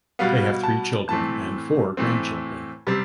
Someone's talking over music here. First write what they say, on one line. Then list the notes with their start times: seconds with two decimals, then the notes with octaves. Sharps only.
They have three children and four grandchildren.
0.19 B2 G3 B3 F5
0.63 A5
1.09 A2 E3 A3 C4 A5
1.97 A2 E3 A3 C4
2.87 C3 G3 C4